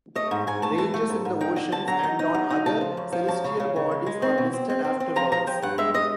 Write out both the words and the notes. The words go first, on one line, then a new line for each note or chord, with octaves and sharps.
Ranges in the oceans and on other celestial bodies are listed afterwards.
A3 D#5
G#2
G#2 G#5
A3 A5
E3 A5
A3
G#2
G#2
D#4 G5
D3
D3 A5
F#3 A#5
D#4
D#4
F#3
D#4
C#3 A5
F3
F#2
F3
F#2 A5
C#3
C#3
C#3
G#3
G#3
C4
B2
C4
C4
C4
C4
F3 A#5
F3 A#5
F3 G5
G2 F#5
G#3 E5
G#3 D#5